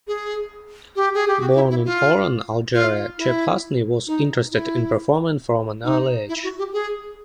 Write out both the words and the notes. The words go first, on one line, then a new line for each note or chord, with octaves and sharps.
Born in Oran, Algeria, Cheb Hasni was interested in performing from an early age.
G#4
G4
G#4
G4
F#4
E4
E4
F4
F4
E4
D#4
E4
D#4
E4
F#4
G4
G#4